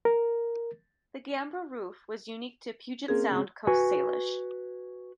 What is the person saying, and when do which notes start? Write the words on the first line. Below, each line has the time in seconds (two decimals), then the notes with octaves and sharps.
The gambrel roof was unique to Puget Sound Coast Salish.
0.05 A#4
3.08 A#3 C4 C#4 G#4
3.31 C#3 G#3 C4
3.67 F#4 B4 G#5